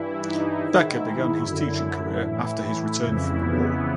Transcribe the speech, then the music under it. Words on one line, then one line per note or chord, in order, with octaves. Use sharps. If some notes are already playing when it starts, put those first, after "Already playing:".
Becker began his teaching career after his return from the war.
Already playing: G2 E3 E4
D#4
G#2 D#3 E4
F#2 D3 E4
A2 E3
F2 C#3 E3 E4
B3